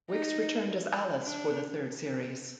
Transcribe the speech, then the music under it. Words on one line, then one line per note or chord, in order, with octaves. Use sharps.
Wix returned as Alice for the third series.
D#4
D4